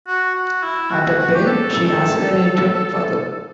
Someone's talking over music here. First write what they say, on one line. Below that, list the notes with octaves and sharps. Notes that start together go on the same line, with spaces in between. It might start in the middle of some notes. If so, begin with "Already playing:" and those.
At the bell she accelerated further.
F#4
F#4
E4
F#4
F#4
G4
A4
A4